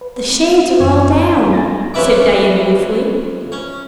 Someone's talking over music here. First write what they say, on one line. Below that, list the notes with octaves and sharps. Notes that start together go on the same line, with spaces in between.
"The shades are all down," said Diana ruefully.
B4
C4
F#2 E3 C#6 G#6
B5
G#5 B5 A6 A#6
F2 C#4 E4 B4 E5 D6
C#4